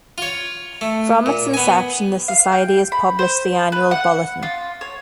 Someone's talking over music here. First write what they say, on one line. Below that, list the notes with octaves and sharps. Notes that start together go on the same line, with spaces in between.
From its inception, the Society has published the annual Bulletin.
F4 C#5
A3
A#2
B3 G#5
F5
G5
B5
C5
B4
F#5
F4
C#5